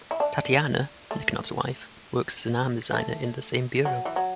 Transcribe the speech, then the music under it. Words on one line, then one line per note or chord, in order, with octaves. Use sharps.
Tatiana, Nikonov's wife, works as an arms designer in the same bureau.
E4
D4
A3
A3
F#3
E3
F#3